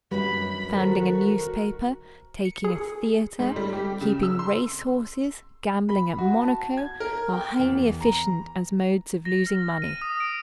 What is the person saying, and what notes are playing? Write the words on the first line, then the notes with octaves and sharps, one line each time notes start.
Founding a newspaper, taking a theater, keeping race-horses, gambling at Monaco, are highly efficient as modes of losing money.
F#2 G3 F#4 B4 B5
D#3 F#4 A4 A#4 C5
C#7
G#4
G#2
G3
G4
C#3
E6
C6
B5
F#4
A5
G#6
A#4
G5
E2
A#5
A#6
F6
D#7
D#6
D7